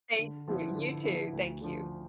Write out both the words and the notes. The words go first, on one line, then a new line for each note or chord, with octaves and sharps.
Thank you. You too. Thank you.
D3
F3 B3 E4
D3
F3 B3 E4
D2
D3 F3